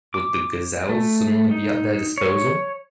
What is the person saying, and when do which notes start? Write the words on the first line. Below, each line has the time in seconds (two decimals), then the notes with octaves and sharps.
Would the gazelles suddenly be at their disposal?
0.14 D6
0.89 A3
1.51 D#4
2.18 C#5